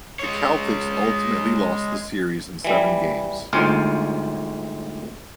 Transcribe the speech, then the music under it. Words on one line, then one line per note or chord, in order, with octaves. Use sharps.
The Celtics ultimately lost the series in seven games.
G#3 C#5
E3 G3
G1 D2 G#2 F4 F5